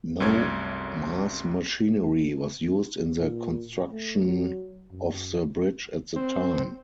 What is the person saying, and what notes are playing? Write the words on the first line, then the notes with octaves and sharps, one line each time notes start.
No mass machinery was used in the construction of the bridge at the time.
C2 F#2 A3 C#5 G#6
A#2
A3
F#3
F#2
C4